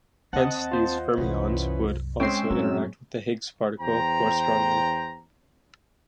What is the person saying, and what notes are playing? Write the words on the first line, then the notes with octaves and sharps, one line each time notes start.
Hence, these fermions would also interact with the Higgs particle more strongly.
D#2 C4 D#5 F#5 A5
F4 C5
C2 F#2 E3 C#4 B4
G#3 C4 C#4 G5 E6 C7
G2 A#2 F#3
E2 C5 G5 A#5